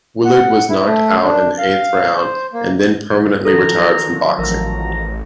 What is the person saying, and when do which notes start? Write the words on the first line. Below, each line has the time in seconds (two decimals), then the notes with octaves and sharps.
Willard was knocked out in the eighth round, and then permanently retired from boxing.
0.25 F#5
0.69 E4
0.86 A3
1.23 D4
1.58 F5
2.16 C5
2.53 A#3
3.45 D#3 F3 F#3 A4 A#5
4.39 A1 A#4 A#5